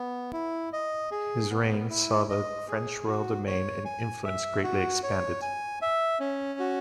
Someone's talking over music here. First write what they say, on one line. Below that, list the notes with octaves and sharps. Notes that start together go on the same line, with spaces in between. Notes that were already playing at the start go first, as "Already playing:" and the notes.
His reign saw the French royal domain and influence greatly expanded.
Already playing: B3
E4
D#5
G#4
B3
E4
D#5
G#4
F#4
C#5
G#5
E5
F#4
C#5
G#5
E5
C#4
F#4